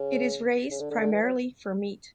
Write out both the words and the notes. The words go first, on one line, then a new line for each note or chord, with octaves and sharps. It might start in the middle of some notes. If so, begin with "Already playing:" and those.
It is raised primarily for meat.
Already playing: C#3
C#3
D3
D3
D3
E3
F#3